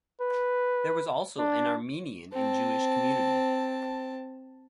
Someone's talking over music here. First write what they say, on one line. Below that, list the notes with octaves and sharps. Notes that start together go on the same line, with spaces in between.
There was also an Armenian and Jewish community.
B4
D4
C4 A5